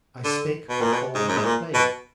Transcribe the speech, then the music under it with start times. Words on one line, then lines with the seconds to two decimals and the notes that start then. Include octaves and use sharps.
I spake before in play.
0.24 D3
0.69 B2
0.81 A#2
0.93 B2
1.15 G#2
1.28 F#2
1.37 G#2
1.44 A#2
1.74 B2